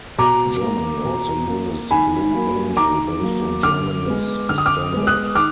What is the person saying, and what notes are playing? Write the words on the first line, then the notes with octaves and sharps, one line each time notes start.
Germany also uses the Blue Angel, based on Germany's standard.
B2 A#5 D6
A#3
B2
A#3
D#3 G#5 B5
F#3 A#3
D#3 A#5 D6
F#3 A#3
D3 D6 F6
G#3 B3
D3 F6
D#6
D6 F6
G#3 B3
D#6 F#6
D#3 D6 F6